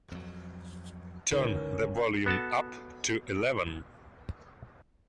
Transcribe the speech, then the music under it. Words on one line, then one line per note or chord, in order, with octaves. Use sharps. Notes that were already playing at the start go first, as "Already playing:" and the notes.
Turn the volume up to eleven.
F2 F#3
G#1 C#2 D3 E3 C#4 D#4 A#4 B4
B3 F#4 A4 A5